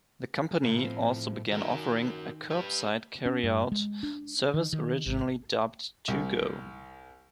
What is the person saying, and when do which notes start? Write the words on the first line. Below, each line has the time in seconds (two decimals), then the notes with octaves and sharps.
The company also began offering a curbside carryout service originally dubbed "TueGo!".
0.64 A2 C#3
0.79 F3 C4
1.51 D#3 F#4 A#4
2.50 G4 B4
3.26 C#4
3.43 G2
3.72 G#3
4.03 D4
4.54 D#3
4.73 D#3
5.06 G#1
6.08 C2